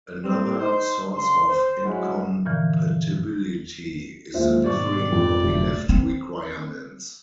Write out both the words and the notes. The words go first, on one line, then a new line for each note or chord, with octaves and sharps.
Another source of incompatibility is the differing copyleft requirements.
G3 C4
D#4 C5
C#3 C6
C5
F#3 G#3 C#4 E4 F#4
G2 A#2 D3 E3 F3
D#2 G#3 F4 C5 E5
G#2 B2 D#3 D5 C#6
F2
F1 D2
C4